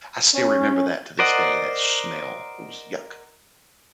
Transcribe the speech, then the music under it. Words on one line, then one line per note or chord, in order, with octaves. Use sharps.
I still remember that to this day, that smell was yuck.
C#4
A#4 C5 D5 D#5 F#5